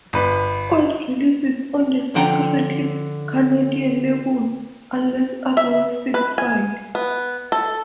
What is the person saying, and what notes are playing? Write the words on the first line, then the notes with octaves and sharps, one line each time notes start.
All releases on the Secretly Canadian label, unless otherwise specified.
G1 B4
D3 F3 F#5 G5 A#5
E5
B4
G#5
B3
A4